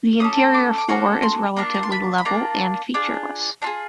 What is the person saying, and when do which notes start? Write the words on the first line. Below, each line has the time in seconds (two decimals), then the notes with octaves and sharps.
The interior floor is relatively level and featureless.
0.20 A#3 C#4 A4 D#6
0.54 D6
0.78 D6
0.88 A#3 C#4 F#4 A4 C#6
1.23 C6
1.57 A#3 D4 F4 A#5
1.74 A#5
1.83 C6
1.92 B5
2.18 B5
2.25 A#3 D4 F4 A#5
2.94 D4 F4 G#4
3.62 D4 F4 G#4 A5